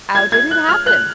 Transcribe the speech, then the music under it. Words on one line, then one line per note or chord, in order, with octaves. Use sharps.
"How did it happen?"
G#6
G#6
F#6
F6
F#6